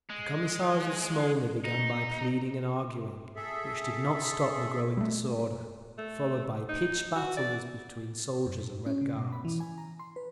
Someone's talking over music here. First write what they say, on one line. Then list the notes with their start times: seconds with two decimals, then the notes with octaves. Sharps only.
The Commissars of Smolny began by pleading and arguing, which did not stop the growing disorder, followed by pitched battles between soldiers and Red Guards....
0.10 G#3
1.64 D#4
3.36 G#4 A4 E5
4.97 G3 A3
5.98 A3
6.69 D#4
7.16 F#4
7.37 D5
8.46 F#2
8.58 A#2
8.86 C#4
9.01 C#3
9.17 B2
9.32 B5
9.45 E3
9.60 G#5
9.78 A#5
9.99 C6
10.16 B4